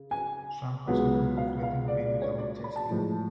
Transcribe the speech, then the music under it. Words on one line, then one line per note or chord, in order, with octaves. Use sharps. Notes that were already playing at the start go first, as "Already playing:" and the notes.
Trump has offered conflicting opinions about testing.
Already playing: C#3
G#5
C#2 C#3 F#3 B3
F5
F5
D5
D5
C#5
D5
B5
A5
A2 F3 G#3